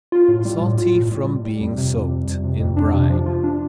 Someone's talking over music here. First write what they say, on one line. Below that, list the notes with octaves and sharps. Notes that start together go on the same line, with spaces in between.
Salty from being soaked in brine.
F4
A2
G3
A2
F4
A2
G3
A2
G3
F2
C3
F2
G3
F2
C3
F2
D4
C3
F3
F4
D4